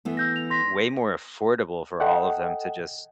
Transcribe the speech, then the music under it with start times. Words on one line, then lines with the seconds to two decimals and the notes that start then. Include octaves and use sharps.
way more affordable for all of them to just
0.05 E3 A3 B3
0.17 E6 G6 A#6
0.36 F7
0.50 C6 A#6 B6
2.00 A4 D#5 F#5 G5